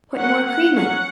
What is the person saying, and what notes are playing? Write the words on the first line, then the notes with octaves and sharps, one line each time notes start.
Put more cream in.
F#3 A#3 C#4 F#5
F#5
F#3 C#4 F#5